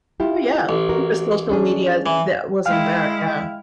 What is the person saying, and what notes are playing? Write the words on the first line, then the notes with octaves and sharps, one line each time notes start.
Oh, yeah. The social media that wasn't there, yeah.
E4 F4 G4
A1
F#4 A#4
C#4 D4 G#4
E3
G#3 E4 F5 G5 F6